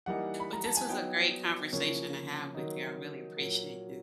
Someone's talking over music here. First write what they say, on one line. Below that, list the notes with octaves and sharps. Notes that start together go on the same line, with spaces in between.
But this was a great conversation to have with you. I really appreciate you
E3 G3 A#3 D#4 F#5
B5
A#5
A5
G#5
F#3 B3 D#4 G5
C#3 F3 A#3 C#5
D#3 F#3 A#3 D#4
A#2 F#3 A#3